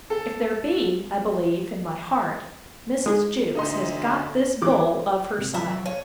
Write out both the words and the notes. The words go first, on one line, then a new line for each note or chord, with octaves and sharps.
If there be, I believe, in my heart, Mrs. Jewkes has got this bull of her side.
A4
G#3 G#4
D2 D#4 D#5 C6
E3 D6
G#2 C3
F#3 F4 A4 E5
C#5 F5 D#7